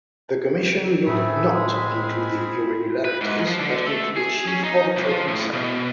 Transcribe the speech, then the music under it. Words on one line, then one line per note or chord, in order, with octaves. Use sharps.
The Commission looked not into the irregularities, but into the Chief Auditor himself.
A2 A3 C4 C#4 G#4 B5
G#3
B4
G#2
F3
D3
A3
G#4
C#4
D#4
C2
F3
A2
B2